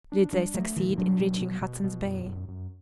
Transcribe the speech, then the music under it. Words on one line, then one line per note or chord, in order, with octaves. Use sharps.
Did they succeed in reaching Hudson's Bay?
D4
G3 D4
F#3 A3
B2 E3
E3
F#3 D4
B2
B2
B2
B2
F#2
F#2
F#2